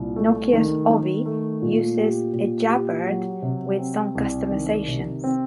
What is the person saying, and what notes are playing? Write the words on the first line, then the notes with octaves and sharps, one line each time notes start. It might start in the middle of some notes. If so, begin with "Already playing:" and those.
Nokia's Ovi uses ejabberd with some customizations.
Already playing: C2 A#2
A3
D#3
D#3
A3
A#2
G4
A#2
G4
F#3
C3
C4
C2
D#3
C3
C4